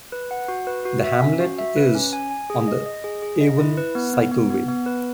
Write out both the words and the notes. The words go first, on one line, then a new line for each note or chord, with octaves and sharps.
The hamlet is on the Avon Cycleway.
B4
F#5
F#4
B4
F#4
E5
C#4
F#4
E5
B4
C#4
G#5
G#5
G#4
D#5
D#5
G#4
G#4
D#5
E4
B4
B3
B3
B3
B3
B3
B4